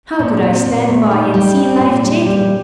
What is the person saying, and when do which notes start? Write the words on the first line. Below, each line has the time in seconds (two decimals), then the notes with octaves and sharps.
How could I stand by and see life taken?
0.19 A#2
0.43 C4
0.66 A#2
0.88 A3
1.11 D#4
1.34 G3
1.57 C4
1.80 A#2
2.03 G3
2.26 G3